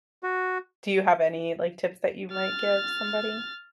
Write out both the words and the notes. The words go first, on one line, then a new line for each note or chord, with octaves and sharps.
do you have any, like, tips that you might give somebody?
F#4
F6 A6